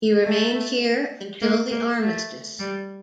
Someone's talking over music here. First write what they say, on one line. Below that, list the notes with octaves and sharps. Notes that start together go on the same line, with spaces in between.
He remained here until the Armistice.
A3
A#3
A#3
A3
G3